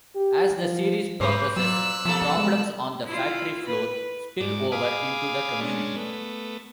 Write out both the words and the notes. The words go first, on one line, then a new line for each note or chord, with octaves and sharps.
As the series progresses, problems on the factory floor spill over into the community.
G4
F3
G#2 F#3 B4 C5
A#2 F#3 E6 F#6
B2 F3 A#3 A4
G#3
E4 F4
B4
G#2 D5
G#4 F5 B5 D6 D#6
G#3 C#4 D4
A3 B3